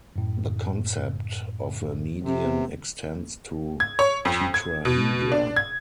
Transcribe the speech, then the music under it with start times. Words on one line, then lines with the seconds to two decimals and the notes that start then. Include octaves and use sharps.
The concept of a median extends to tetrahedra.
0.16 F#2 A2
2.23 C3
2.45 B3
3.80 G#6
3.99 C#5
4.25 F2
4.54 G#6
4.85 B2
5.32 D4
5.56 G#6